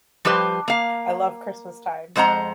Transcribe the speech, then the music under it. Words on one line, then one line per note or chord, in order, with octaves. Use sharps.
I love Christmas time.
F3 G3 G4 B4 C5
A#3 F5
F2 G#3 C5 F#5 A#5